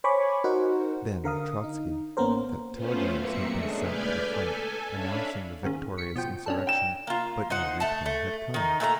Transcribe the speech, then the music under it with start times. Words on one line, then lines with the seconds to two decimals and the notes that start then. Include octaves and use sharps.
Then Trotzky, that telegrams had been sent to the front announcing the victorious insurrection, but no reply had come.
0.04 C5 C#5 G#5 B5 C#6 D6
0.44 D#4 F#4 A#4 C5 F#5
1.24 D3 A#4 F5 D#6
1.64 D#4
2.17 A1 A#3 B3 C#4 A#4 C5
2.72 A3 B3 C#4 F4 B4 C5
3.11 F#2 A#2 A#3 C4 E5 C#7
3.49 C#3 G#3 A3 D4 G#4
3.79 B4 D5 B5 F6 G6 G#6
4.17 A4 G#5
4.89 C#4 D4 E5 F5 B5
5.63 G#1 D#2 C#3
5.97 C#6 B6 C#7
6.16 B2 F3 G5
6.46 C#4 D4 A4
6.67 G5 E7
7.07 A#3 F4
7.50 D#4 C5 F#5
7.80 A3 A5
8.06 A3
8.54 D#3 D#4
8.80 A#2 A3 G4 A#5